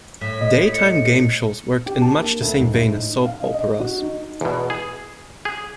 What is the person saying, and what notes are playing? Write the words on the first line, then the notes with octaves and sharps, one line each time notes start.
Daytime game shows worked in much the same vein as soap operas.
A2 B6
D#5
C#7
G4
A5
A#3
D2
G#2
A2
D#4
F5
D#5
D#5
F#4
D#4
E2 B2
G#4
G#4